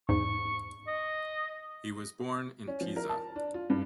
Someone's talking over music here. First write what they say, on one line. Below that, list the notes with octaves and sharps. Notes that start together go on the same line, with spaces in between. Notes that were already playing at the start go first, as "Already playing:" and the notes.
He was born in Pisa.
E2 G#2 C#6
D#5
C#4
F3
A#4
A5
D4
F4
G2